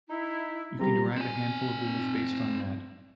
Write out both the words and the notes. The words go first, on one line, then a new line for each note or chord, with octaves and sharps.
You can derive a handful of rules based on that.
D#4 E4
C2 G3 C4 F4 A#5
C4 G#5